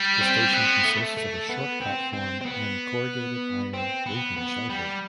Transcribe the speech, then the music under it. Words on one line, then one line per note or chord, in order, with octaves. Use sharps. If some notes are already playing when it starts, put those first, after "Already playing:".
The station consists of a short platform and corrugated iron waiting shelter.
Already playing: G3
C4
B3 C4
A3
A3
B3
C4
C4
C4
B3
C4
B3
B3
G3